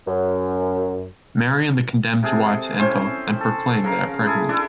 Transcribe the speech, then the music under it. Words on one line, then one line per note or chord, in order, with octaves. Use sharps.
Mary and the condemned's wives enter and proclaim they are pregnant.
F#2
C3 G#4 A4
C4 C#4 E4 C5
A4
C#3 A#4 F5
E4 G#4 A4
D4 E4 A4